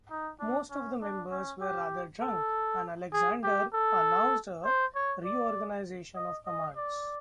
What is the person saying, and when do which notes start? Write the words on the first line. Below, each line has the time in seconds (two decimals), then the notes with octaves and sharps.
Most of the members were rather drunk, and Alexander announced a reorganization of commands.
0.10 D#4
0.40 D4
0.71 C#4
1.02 D4
1.31 C#4
1.61 G4
2.21 A4
3.13 G#4
3.43 G4
3.74 A4
4.65 C5
4.95 C#5
5.25 D5
6.16 D#5
6.46 D#5
6.77 D5